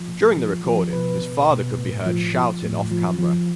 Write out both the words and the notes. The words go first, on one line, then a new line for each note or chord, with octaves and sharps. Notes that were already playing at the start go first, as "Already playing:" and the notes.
During the recording, his father could be heard shouting off-camera.
Already playing: F3
A#2
F3
F3
B2 B4
B2
B2
A2
F3
F3
A2
F3
F3